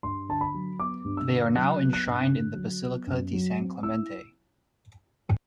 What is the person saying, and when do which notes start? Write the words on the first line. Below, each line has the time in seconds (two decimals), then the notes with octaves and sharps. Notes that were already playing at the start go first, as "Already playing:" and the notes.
They are now enshrined in the Basilica di San Clemente.
0.03 G2 C6
0.29 D3 A5
0.41 B5
0.54 F#3
0.79 B3 D6
1.05 G2
1.17 E6
1.30 D3
1.55 F#3 F#6
1.81 B3
1.93 F#6
2.06 G2
2.31 D3
2.56 F#3
2.83 B3
3.07 F#2
3.33 F#3
3.58 C4
3.83 E4 E6